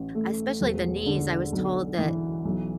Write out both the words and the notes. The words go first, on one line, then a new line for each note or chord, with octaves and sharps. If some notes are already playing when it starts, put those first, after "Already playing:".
Especially the knees, I was told that
Already playing: A1
A3
E1
D3
B1
E3
B1